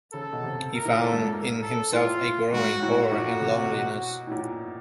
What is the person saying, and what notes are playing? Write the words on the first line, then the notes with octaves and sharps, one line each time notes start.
He found in himself a growing horror and loneliness.
C#3 A4
B2
C3
A#4
A#2
A2
A4
G#2
A#4
A4
A2 F4
G#2 F#4
A2 F#4
A#2
C3
B2
A2
A#2